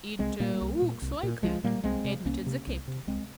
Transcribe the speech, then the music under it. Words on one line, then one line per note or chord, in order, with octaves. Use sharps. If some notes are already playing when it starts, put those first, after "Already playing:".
"It looks like it," admitted the Captain.
C2 G#3 C4
A#2 G3 A#3
C2
A#2
C2
A#2
C2 F3 G#3
A#2 G3 A#3
C2 G#3 C4
C3
C2 A#3 C#4
C3
C2
C3
C2 G#3 C4